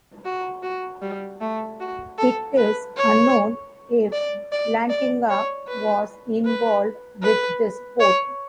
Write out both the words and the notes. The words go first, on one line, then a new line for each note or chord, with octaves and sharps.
It is unknown if Lantinga was involved with this port.
F#4
F#4
G3
A3
F#4
A4
B4
C#5
D5
D5
D5
C#5
B4
B4
B4
C#5